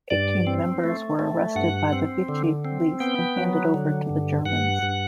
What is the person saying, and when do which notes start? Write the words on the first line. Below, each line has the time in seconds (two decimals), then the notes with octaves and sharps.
Eighteen members were arrested by the Vichy police and handed over to the Germans.
0.10 G2 D5
0.47 C4
0.84 A3
1.19 A3
1.55 G2 F#5
1.93 C4
2.28 D3
2.65 C4
3.00 B3 G5
3.37 F#3
3.74 D3
4.09 G2
4.45 G2 F#5
4.83 G2